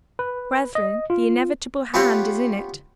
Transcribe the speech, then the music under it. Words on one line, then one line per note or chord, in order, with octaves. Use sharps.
Brethren, the inevitable hand is in it.
B4
D#5
F4
B3 C#4 F4 G4 F#5